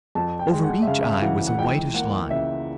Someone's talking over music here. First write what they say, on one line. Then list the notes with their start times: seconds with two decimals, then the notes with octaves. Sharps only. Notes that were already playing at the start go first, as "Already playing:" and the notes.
Over each eye was a whitish line.
0.15 F2 A5
0.39 G5
0.51 G#3
0.63 F#5
0.82 E5
0.87 C#3 F5
1.02 E5
1.13 F5
1.22 E3 F#5
1.47 F#5
1.59 C#2 G5
1.94 A#3 F#5
2.30 C#3 E5